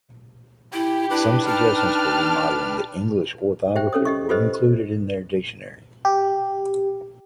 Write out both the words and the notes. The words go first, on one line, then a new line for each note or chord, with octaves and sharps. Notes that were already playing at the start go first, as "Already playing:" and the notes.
Some suggestions for remodeling the English orthography were included in their dictionary.
E4 G4
D4 E4 B4
D#4 G5 A5 F6
G4 C5 E5 G5
C#4 A4 C#5 D#6
G4 D#5 C#6
F4 G4 A4 B4 C5 D#5
G4